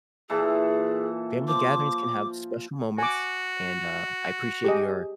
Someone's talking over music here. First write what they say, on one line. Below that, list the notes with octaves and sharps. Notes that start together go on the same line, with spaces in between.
family gatherings can have special moments and, uh, I appreciate your
A#2 E3 G#4 A4
F3 D6
F#4 G#5 D6
G4 G#4 D#5